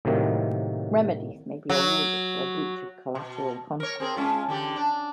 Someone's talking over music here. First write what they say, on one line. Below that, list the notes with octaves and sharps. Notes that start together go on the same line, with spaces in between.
Remedies may be awarded for breach of a collateral contract.
A2 C3 D#3 F#3 A#3
F#3
B2
A#4 C#5
C4 G#4 A#4
G#3 C#4 F4
E2 D3 G4
D4